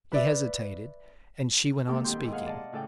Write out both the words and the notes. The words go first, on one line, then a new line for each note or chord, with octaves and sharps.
He hesitated--and she went on speaking.
B4 D5 E5
G#3 A#3 C4 G4 A4
G2 B2 D#3 G4 C6 G6
D#2 G#2 G#4
G#4 F5 F#5
D5 D#5 A5
A2 C#3 A4 D5 G5